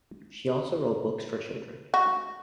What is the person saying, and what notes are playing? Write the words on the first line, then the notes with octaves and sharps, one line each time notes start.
She also wrote books for children.
F#4